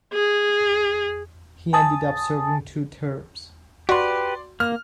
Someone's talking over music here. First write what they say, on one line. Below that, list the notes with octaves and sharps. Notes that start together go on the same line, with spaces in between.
He ended up serving two terms.
G#4
G#5 A5 D#6 A6
F#4 G4 B4 D5 C6
A#3 F6